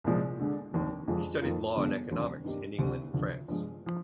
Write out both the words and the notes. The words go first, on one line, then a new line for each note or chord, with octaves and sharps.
He studied law and economics in England and France.
C2 A#2 F3 G#3
D3 G#3 D4
F1 D#2 D#3
F2 D3 G#3 D4 F4
F2 D#3 A#3 F4
G1 F2 D3 G#3 D4
F1 D#2 D3 G3 D4
G2 D#3 A#3 D#4 G4
D2 D3 G3 C4 G4
D2 D3 F3
G2 F3 G#3
F3